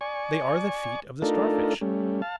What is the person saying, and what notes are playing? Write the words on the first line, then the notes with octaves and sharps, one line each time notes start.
They are the feet of the Starfish.
D5 G#5 C#6
A3 D4 D#4 F4 A4 A#4
G3 A3 C#4
F5 A5